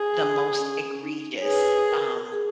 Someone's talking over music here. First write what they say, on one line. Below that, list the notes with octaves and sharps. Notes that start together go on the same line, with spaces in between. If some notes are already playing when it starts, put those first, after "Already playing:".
the most egregious, um,
Already playing: G#4
C#4
C#4
D#4
C#5
G#4 B4
A#4
G#4